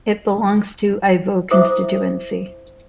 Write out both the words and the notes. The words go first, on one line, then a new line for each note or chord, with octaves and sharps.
It belongs to Aiwo Constituency.
E4 C5 E5 D6 D#6